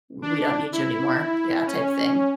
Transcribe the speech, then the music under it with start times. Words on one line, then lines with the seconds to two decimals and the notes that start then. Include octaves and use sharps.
"We don't need you anymore," yeah, type thing.
0.22 D4
0.72 E4
1.66 C#4